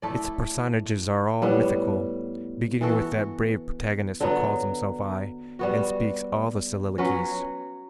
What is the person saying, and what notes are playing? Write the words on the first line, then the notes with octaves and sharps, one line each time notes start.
Its personages are all mythical, beginning with that brave protagonist who calls himself I and speaks all the soliloquies.
A3 E4 A4 D5
A2 G3 B3
E3 B3 F#4 A4
D3 F#3 B3
G3 B3 F#4
F#3 C#4 F#4 B4